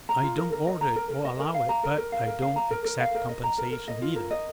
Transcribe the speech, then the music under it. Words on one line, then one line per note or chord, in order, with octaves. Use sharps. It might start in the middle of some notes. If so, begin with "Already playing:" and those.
I don't order it or allow it, but I don't exact compensation either.
A#5
F4
A#4
A#4
D#5
A#5
A#4
A#4
D#5
A#4
F5
A#5
A#4
A#4
F5
A#4
F5
A#5
A#4
A#4
F5
A#4
D#5
A#5
A#4
A#4
D#5
F4
A#4
D#5